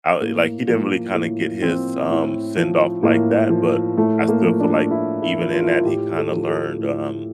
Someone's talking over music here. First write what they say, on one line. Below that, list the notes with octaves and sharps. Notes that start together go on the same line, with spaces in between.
I like, he didn't really kinda get his, um, send off like that, but I still feel like even in that he kinda learned, um,
A2 A#3
F3 A#3
A2 A#3
F3 C4
A2
F3
A2 A#3
F3
A2 A3
A#3
F3
D4
A2 E4
E4
F3
F4
E4
F4
A2 G4
A4
F3
A4
A2